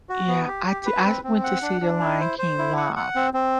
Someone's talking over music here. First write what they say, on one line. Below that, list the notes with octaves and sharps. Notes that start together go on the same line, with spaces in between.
Yeah, I did I went to see the Lion King live.
F#4
B3
G4
G4
B4
C4
C4
F#5
D4
D4
E4
C5
C5
E4
F#5
F#5
C4
C4